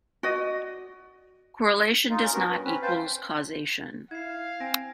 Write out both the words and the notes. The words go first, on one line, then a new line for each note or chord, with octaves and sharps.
Correlation does not equals causation.
F#4 D5 D#5
D#4 F4
C#4 A#4
B3 C#4 F#4 A#4
G2
C4 C#4 B4
B4 C5 F5 G5 A5
E4 F5 G#6 C7
C4 G#5 A#6